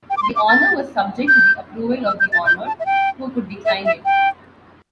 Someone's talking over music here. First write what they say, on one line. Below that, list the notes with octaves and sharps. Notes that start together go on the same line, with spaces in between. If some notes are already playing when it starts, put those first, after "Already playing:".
The honor was subject to the approval of the honored, who could decline it.
G5
D6
C6
D6
A6
G6
E6
G6
A6
G6
A5
E5
G5
E5
E5
G5